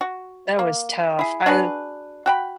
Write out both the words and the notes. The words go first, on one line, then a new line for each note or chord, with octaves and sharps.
That was tough, I l
F#4
A#3
E4 G#4
D4 F#4 G#4 B4
F#4 G5 B5